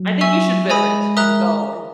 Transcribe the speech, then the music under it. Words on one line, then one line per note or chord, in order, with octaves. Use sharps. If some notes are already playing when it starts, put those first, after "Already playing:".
I think you should visit and go, and
Already playing: F#3
E5 G#5 C#6 E6
G#3 G#4 D#5 G#5 B5 D#6
A#4 E5 A#5 D#6 F#6